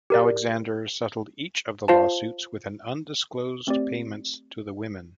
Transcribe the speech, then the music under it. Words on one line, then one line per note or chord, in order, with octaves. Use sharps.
Alexander settled each of the lawsuits with an undisclosed payments to the women.
G4 A#4 D5
F4 C5 F5 A5
A3 C4 G4 D5